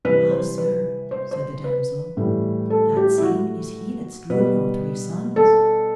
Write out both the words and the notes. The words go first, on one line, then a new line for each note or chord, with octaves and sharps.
Ah sir, said the damosel, that same is he that slew your three sons.
C3 E3 G3 B4
C5
B4
C5
C5
B4
A2 E3 G3
A4
G4
E4
F#4
B2 G3 B4
A4